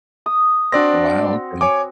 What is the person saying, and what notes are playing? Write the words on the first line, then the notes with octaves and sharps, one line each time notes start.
Oh, wow. Okay.
D#6
C4 D4 F#4 D5 A#6
C#5 G#5 D6